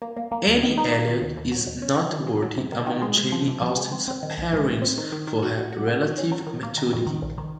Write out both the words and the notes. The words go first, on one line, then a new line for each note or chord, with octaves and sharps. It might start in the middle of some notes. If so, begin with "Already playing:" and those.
Anne Elliot is noteworthy among Jane Austen's heroines for her relative maturity.
A#3
A#3
A#3
D#2
D#3
D#4
A#3
D#3
D#2
D#2
F#3
D#2
C#4
D#3
D#3
G#3
F#3
C3
D#3
D#3
G#3
G#3
F3
C3
F3
G#3
C4
C4
D#3
A#1
G#2
G#2
C4
D#3
D#3
D#3
F#4
F#4
F#4
C#3
F#3
C#4
F#3
D#3
A#3
D#3
F2
D#3
A#1
D#3